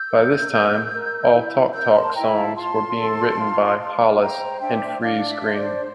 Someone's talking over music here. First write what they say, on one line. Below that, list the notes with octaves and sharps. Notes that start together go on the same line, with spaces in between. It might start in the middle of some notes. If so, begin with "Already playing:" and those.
By this time, all Talk Talk songs were being written by Hollis and Friese-Greene.
Already playing: E6 G6
A#4
A#4
A#4
E4
A#4 E6 G6
A5 C6
E4 G5 A#5
F5 A5
F4 A5 C6
A4
F4
F4
C5 G5 A#5
D4 E5 G5
D4 D5 F5
E5
C5
D5